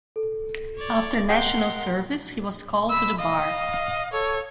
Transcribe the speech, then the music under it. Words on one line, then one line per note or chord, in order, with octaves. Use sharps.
After National Service he was called to the Bar.
A4
C#5 D5
G#4 A#4 F#5 G5 C6
B5 E6
D#5 F5
A4 C#5